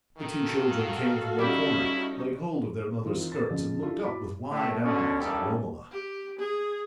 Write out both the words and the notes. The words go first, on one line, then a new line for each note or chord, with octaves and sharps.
The two children came from their corner, laid hold of their mother's skirts, and looked up with wide eyes at Romola.
D#3 F#4 A4 F5
G3 C#4 D#4 E4 G4
D#3 E3 C4 F4
A6
F2 C#3
D4 E4 F4 G4 A4
E4 F#4 B5 D6
A2
B2 D3 C#4
A1 G2 D#3 G3 C#4 A4
G4
G#4